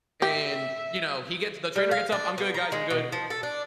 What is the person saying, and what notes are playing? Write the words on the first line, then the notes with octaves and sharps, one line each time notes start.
And, you know, he gets the trainer gets up, "I'm good, guys, I'm good."
G4 E5
G3
F5
D4
B3
A#5
G#3
B2
F3
A4
D4